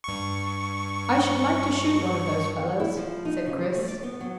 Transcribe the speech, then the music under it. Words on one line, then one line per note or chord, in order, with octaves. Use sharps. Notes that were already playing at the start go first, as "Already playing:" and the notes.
"I should like to shoot one of those fellows," said Chris.
G2 C#6
E4
F3
D#4
C#3
G3
A3
D5
B3
F#3